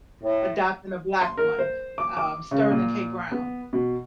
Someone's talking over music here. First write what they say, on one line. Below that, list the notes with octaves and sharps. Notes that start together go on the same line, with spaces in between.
adopting a black one, um, Sterling K. Brown.
A2
C6
A#4
C5
D6
D6
C#3
A#2
B3
B2